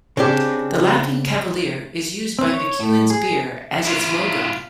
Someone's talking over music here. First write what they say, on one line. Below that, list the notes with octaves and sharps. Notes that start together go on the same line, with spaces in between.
The "Laughing Cavalier" is used by McEwan's beer as its logo.
C#3 C4 D4 G4
C4
C#5
A2
G#4
E4 F4